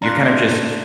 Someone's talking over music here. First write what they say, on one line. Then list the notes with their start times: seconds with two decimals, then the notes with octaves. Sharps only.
you're kind of just
0.02 D4 F5 G#5 A#5 C6 F#6